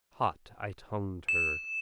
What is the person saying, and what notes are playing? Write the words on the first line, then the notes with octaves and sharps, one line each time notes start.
Hot I tongued her.
E7